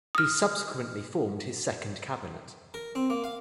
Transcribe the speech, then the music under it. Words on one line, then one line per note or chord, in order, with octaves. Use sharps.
He subsequently formed his second cabinet.
D#6 F6
A#4
C4
A#3
F5